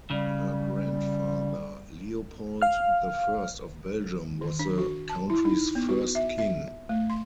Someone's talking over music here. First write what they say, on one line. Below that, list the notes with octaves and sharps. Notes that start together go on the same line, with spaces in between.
Her grandfather Leopold the First of Belgium was the country's first king.
C#3 G3
F5 F6
D#3
D4
F#4
A5
E4
D#4
B3
F#4
E5
E5
A3
C6